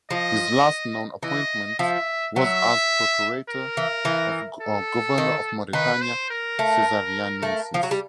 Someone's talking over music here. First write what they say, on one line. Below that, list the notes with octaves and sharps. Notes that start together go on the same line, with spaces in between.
His last known appointment was as procurator or governor of Mauretania Caesariensis.
F3 D#5
E3 D#5
F3 E5
F#3 E5
A#4
E3
E3
A4
D#3
D#3 B4
C5
A#4
A3
A3
F3
F#3
G3